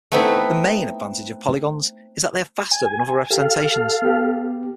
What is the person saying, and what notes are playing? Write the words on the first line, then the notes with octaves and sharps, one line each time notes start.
The main advantage of polygons is that they are faster than other representations.
A3 B3 C4 D#4 E4
G#5
G4 A4 F5
B3 G4